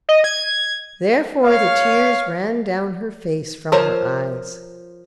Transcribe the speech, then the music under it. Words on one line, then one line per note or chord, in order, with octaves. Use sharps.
Therefore the tears ran down her face from her eyes.
D#5
G#6
C#5 F5
F3 F4 A#4 C5 C#5